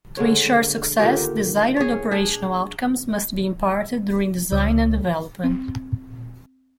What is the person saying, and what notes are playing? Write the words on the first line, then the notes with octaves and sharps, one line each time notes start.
To ensure success, desired operational outcomes must be imparted during design and development.
D3 G#3 C#5
A#2 D3 D#3 G4
G#4 C#5
D4 G#4
C#2
C4